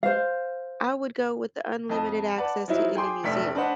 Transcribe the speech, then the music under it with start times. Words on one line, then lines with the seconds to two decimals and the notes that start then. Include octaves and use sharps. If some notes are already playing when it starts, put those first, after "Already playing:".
I would go with the unlimited access to any museum.
0.03 C5 F5
1.89 F2 D#5 A5
2.37 B4 D5 F#5 A5
2.68 F3 F#3 D#4 E4
2.95 G#4 G5 C6 D6
3.23 F1 A#1 A3 E5 B6
3.55 D4 B4 C5 D#5 F#5 B5